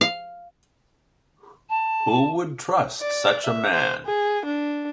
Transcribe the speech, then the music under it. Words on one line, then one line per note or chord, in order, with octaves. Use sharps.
Who would trust such a man?
F5
A5
D5
E5
C5
G#4
D4